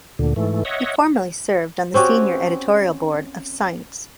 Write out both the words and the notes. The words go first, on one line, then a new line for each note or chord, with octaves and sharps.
He formerly served on the Senior Editorial Board of "Science".
D2 A#2 D3
G#2 E3 A3
C#5 D#5 E5 F#5
C4 C#4 F#4 G4